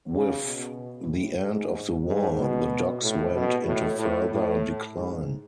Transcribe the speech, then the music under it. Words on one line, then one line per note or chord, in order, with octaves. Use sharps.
With the end of the war the docks went into further decline.
C#3
B2
A2
G#2
G#2
B2
A2
B2
A2
A2
A2
G#2